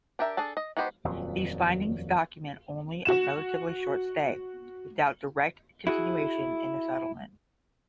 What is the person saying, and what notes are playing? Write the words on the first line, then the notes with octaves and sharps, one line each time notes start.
These findings document only a relatively short stay, without direct continuation in the settlement.
D4 G4 A#4 E5
D4 G#4 A4 A5
D#5
B3 D#4 F#4 G4 C5
D#1 F2 F3 F#3
F#4 E7
E4 F#4 G#4